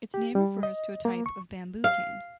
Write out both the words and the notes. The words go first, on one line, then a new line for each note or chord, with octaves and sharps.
Its name refers to a type of bamboo cane.
G4
G3
D#5
A#3
C#6
F5